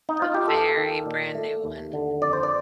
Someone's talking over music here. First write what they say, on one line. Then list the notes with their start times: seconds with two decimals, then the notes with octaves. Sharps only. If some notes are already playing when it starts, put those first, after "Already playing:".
The very brand new one.
0.09 D#4
0.22 F4
0.34 G4
0.48 D#2 A4
0.77 D#3
1.06 A#2
1.35 A3
1.64 D#2
1.93 D3
2.22 F2 D5
2.33 C5
2.43 D5